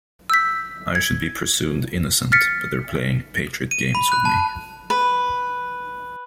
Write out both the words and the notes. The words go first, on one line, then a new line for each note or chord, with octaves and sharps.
I should be presumed innocent but they're playing patriot games with me.
E6 G6 B6
G#6
F6 A6 B6 C#7
D#7
B5
F#6
A5
B4